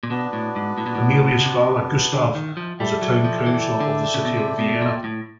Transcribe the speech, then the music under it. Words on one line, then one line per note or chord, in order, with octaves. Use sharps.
Emilia's father, Gustav, was a town councillor of the city of Vienna.
A#2
B2 B3 D4 F#4 B4 D5
A2
G#2
A2
A#2
A2
C3
D3
D#3
F3
G3 E4 A4 D5 G5
F#3
F3
E3
D3
C#3
B2
C3
B2
A#2
A2